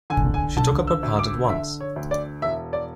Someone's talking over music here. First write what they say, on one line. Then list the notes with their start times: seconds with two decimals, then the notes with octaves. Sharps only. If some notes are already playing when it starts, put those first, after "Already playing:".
She took up her part at once.
0.10 D3 G#5
0.34 G#5
0.57 D3 A5
0.87 E6
1.03 D2
1.19 D6
1.49 D3 E5
1.80 C#5
1.96 D2
2.11 D5
2.42 E1 E5
2.73 D5